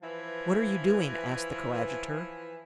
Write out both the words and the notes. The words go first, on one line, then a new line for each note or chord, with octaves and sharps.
"What are you doing?" asked the coadjutor.
E3 F3 B4 E5